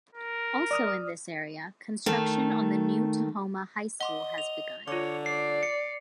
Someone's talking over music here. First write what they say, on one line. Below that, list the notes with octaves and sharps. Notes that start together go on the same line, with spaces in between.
Also in this area, construction on the new Tahoma High School has begun.
A#4
D5 D#6 F6
D#3 A3
D#5 F#5 C6 D6 G7
F7
D3 F4 C#5 D6
D5 C7
C#7